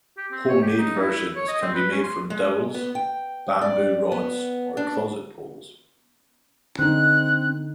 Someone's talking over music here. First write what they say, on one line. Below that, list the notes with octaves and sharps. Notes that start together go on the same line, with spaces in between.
Homemade versions can be made from dowels, bamboo rods, or closet poles.
G4
C4
C#5
G4
D#4
E4
C#5
D#5
C4
B4
C#4
C6
G#3
B3
G5
D5
B3
D4
D3 C4 D#4 F#6